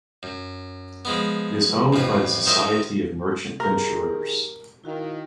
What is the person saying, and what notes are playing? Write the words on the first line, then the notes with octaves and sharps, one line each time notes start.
It is owned by the Society of Merchant Venturers.
F#2
F3 G#3 B3
A1 F2 A2 B4
D#3 F#3 D#4 C5 E5
D#3 G4 G#4 A#4
D#3 E4 F#4 F5